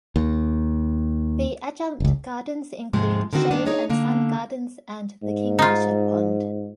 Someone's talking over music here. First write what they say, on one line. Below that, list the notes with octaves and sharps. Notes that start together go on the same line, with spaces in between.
The adjunct gardens include shade and sun gardens and the Kingfisher Pond.
D#2
F#1 C#2
D#2 G#2 C3 F3 G#3
D3 D#3 C4 F#4
G2 D#3 A#3 D4
D#4 G#4 C#5 D#5
D3 A#3
G#2
D#4 F4